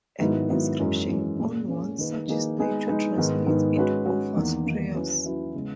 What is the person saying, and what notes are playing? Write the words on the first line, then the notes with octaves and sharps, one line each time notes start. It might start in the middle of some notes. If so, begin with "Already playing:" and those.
An inscription on one such statue translates, 'It offers prayers.
G#2 D#3 F#3 B3 E4
G#2 D#3 F#3 B3 E4
F#2 E3 G#3 C#4
F#2 E3 G#3 C#4
A#2 A#3 C#4 G#4
A#2 A#3 C#4 G#4
D#3 A#3 D#4 G#4 B4
D#3 A#3 D#4 G#4 B4
G#3 B3 D#4 G#4 B4
G#3 B3 D#4 G#4 B4
G#2 D#3 G#3 B3
G#2 D#3 G#3 B3
G#3 C#4 F#4 B4
G#3 C#4 F#4 B4
E2 D#3 A#3
E2 D#3 A#3
F#3 C#4 E4 B4
F#3 C#4 E4 B4
C#3 G#3 B3